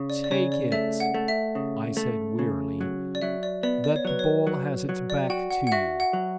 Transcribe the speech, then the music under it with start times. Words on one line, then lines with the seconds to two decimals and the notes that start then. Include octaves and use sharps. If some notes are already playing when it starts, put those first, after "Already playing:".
"Take it," I said wearily, "that the ball has its back to you."
Already playing: C#3
0.10 D5
0.24 D5
0.31 C#3 C#5
0.52 D5
0.72 A3 E5
1.00 F#5
1.14 A3
1.28 E5
1.55 C#3
1.97 A3
2.39 C#3
2.81 F#3
3.15 D5
3.22 F#3 E5
3.43 D5
3.63 B3 D5
3.84 D5
3.96 C#5
4.05 F#3 B4
4.19 C#5
4.47 F#3
4.89 F#3
5.10 D5
5.30 F#4 G5
5.51 F#5
5.67 F#5
5.72 F#4 E5
6.00 F#5
6.13 F#3